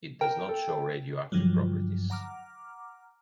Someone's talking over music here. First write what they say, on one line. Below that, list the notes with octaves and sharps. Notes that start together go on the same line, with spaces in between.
It does not show radioactive properties.
A#4 G5
A4
G2 D3 F3 F#3
F#5 A#5 D6 F6